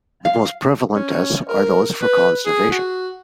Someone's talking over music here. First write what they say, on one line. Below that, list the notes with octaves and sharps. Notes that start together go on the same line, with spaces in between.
The most prevalent tests are those for conservation.
F5
C#4
A#4
B4
G#4
F#4